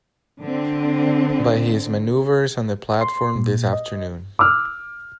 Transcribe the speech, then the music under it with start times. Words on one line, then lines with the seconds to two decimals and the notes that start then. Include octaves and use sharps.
By his manoeuvres on the platform this afternoon.
0.40 D3 C4
3.01 C6
3.36 A#2
3.73 D#5
4.39 D6 E6 F6